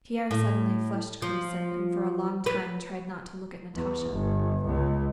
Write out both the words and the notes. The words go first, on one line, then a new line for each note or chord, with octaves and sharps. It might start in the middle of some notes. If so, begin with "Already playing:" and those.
Pierre suddenly flushed crimson and for a long time tried not to look at Natasha.
A2
F3
B4
E2
G1
C#2